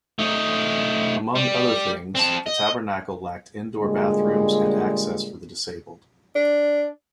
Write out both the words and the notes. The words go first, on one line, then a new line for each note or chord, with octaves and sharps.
Among other things, the Tabernacle lacked indoor bathrooms and access for the disabled.
A3 D#4
G3
C4 A5
D#5
A#2 D3 G3 G#3
D4